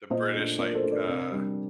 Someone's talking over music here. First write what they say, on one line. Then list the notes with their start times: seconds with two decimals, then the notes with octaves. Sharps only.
the British, like, uh,
0.10 A#2 C5 D#5
0.34 A3 D4
0.58 A#2 A#4 D5
0.70 A#4
0.75 A4 C5
0.83 A3 D4
0.90 A#4 D5
1.06 C3 A#4 D5
1.31 G3 D4